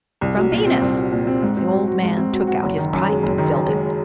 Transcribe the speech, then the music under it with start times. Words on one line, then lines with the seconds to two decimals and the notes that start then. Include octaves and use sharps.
"From Venus." The old man took out his pipe and filled it.
0.21 C2
0.37 F#3
0.52 A#2
0.67 C4
0.82 C2
0.97 F#3
1.12 A#2
1.27 C4
1.42 G#2
1.57 C4
1.72 F#3
1.88 F#4
2.03 G#2
2.17 C4
2.33 F#3
2.47 F#4
2.63 F#1
2.78 D#3
2.93 F#2
3.08 G#3
3.23 F#1
3.38 D#3
3.53 F#2
3.68 G#3